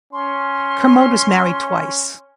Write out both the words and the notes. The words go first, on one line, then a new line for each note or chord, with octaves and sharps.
Kermode was married twice.
C#4 C6